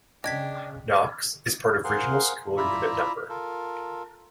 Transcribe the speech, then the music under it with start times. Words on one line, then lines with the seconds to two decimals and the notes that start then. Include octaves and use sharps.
Knox is part of Regional School Unit No.
0.24 C#3 D4 D#5 G5 G#6 B6
1.84 G#4 A#4 C5 F5 F#5 C6
2.57 E4 F4 D5 E5 A#5 B5
3.29 F4 A4 A#4